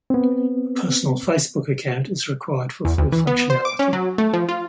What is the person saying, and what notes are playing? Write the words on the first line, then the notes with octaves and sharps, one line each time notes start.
A personal Facebook account is required for full functionality.
B3 C4
E2
D2
E3
B3
C5
D6
C#4
F#3
A3
F3
F4